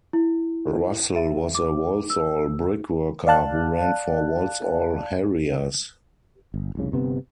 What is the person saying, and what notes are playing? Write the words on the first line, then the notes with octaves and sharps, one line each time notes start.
Russell was a Walsall brick worker who ran for Walsall Harriers.
E4
E5
D6
E6
D5 F5 A5 F#6
G1
F1 C2 C#3
G1 C3 B3